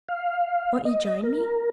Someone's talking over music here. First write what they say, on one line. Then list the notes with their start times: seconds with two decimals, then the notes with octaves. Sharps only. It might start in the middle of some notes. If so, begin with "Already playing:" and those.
Won't you join me?
0.09 F5
0.85 D#5
1.23 A#4